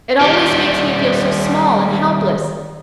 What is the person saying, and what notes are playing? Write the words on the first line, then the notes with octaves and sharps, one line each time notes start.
"It always makes me feel so small and helpless."
D#3 G3